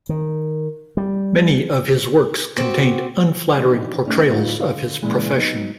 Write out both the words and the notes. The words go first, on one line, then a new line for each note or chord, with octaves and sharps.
Many of his works contained unflattering portrayals of his profession.
D#3
G3
C4 F#4 G4
E3 F3 C4 D4 D#4
A3 C#4 D#4
D2 A2 F#3 D#4 F4
D3 F5
A#2 C#3 E3 G#3
F#3 B3 D#4